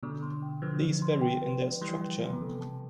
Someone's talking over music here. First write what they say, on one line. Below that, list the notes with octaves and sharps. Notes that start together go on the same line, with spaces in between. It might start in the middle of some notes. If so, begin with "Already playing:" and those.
These vary in their structure.
B2 D3 D5
C6
G5
D3 F3 B4
D5
C6
G5
B4
D5
E3 G3 C6
G5
B4
B2
C3 A4
A5